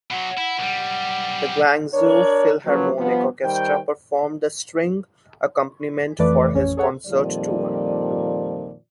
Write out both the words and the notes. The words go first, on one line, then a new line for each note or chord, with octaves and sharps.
The Guangzhou Philharmonic Orchestra performed the string accompaniment for his concert tour.
B2 F#3 F#5
E4
B1 G3
D4 A#4 C#5
F3 F#3 A#3 C#4 B4
G2 F3 B3
D#3 G3 C5 G5
F2 E3 A3 B4 D5 D6
A1 F2 C#4 C#5
G#4 A4 C#5 F#5
F2 A#2 D#3 F3 G3 D5